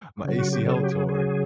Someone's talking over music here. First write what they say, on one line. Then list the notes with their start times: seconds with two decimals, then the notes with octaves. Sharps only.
my ACL tore,"
0.24 C#3 F#3
0.39 F#4
0.53 G4
0.67 A4
0.75 G#4
0.83 G4
0.92 G#4
1.09 G#4